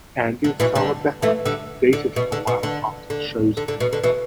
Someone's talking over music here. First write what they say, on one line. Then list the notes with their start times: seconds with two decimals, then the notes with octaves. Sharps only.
Andy and Sarah Beckworth dated for a while after the show's end.
0.44 D3
0.60 B2 E3
0.75 D3 G3
1.22 E3 A3
1.45 D3 G3
1.93 D3
2.16 B2
2.32 D3
2.47 B2
2.63 D3
3.10 D3
3.57 D3
3.68 D3
3.80 B2
3.93 D3
4.03 B2 E3